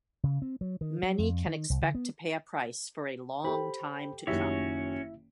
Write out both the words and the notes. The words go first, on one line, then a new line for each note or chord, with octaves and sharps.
Many can expect to pay a price for a long time to come.
C#3
C4
F#3
D#3
F#3
F2
D#3
C2
D3
B3
G4 A4 C5 G5 B5
F#1 D#3 C#4 E4 F#4 G4 C#5 E5